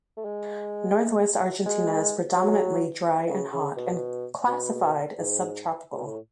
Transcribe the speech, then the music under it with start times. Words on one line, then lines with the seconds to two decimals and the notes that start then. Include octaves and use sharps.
Northwest Argentina is predominantly dry and hot and classified as subtropical.
0.17 A3
0.25 G#3
1.66 G#3
2.36 F#3
3.30 C#3
3.53 C#3
3.77 B2
4.47 B2
5.18 G#2
5.97 B2
6.06 A2